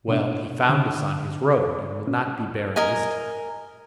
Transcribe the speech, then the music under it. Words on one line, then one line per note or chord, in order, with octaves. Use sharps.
Well, he found us on his road and will not be baron this time.
B2 B3 D4
D3
C#4
A#4 D#5 G#5